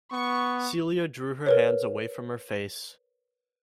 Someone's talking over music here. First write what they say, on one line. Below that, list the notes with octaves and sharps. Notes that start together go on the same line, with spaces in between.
Celia drew her hands away from her face.
B3 C#6
A#4 B4 C#5